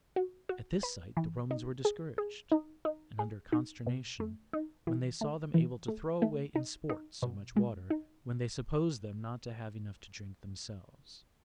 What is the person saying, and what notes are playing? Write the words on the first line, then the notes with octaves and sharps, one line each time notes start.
At this sight the Romans were discouraged, and under consternation, when they saw them able to throw away in sport so much water, when they supposed them not to have enough to drink themselves.
F#4
F#4
B4
E3
D#4
G#4
G#4
D#4
D#4
G#4
D#4
B2
A3
D#4
E3
A3
E3
A3
A3
D#4
D#4
B2
G#3
D#4